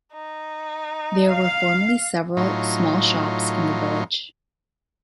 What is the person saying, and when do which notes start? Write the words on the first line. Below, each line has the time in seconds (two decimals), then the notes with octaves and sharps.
There were formerly several small shops in the village.
0.14 D#4
1.28 F5
2.37 A2 F#3 D#4 F4